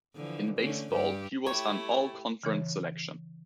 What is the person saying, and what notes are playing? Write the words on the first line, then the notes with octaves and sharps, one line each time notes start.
In baseball, he was an All-Conference selection.
D3 E3 F3
D3 A3 C#4
G2 G4 D5
A3 E4 G4 C#5
C#3 E3 C#5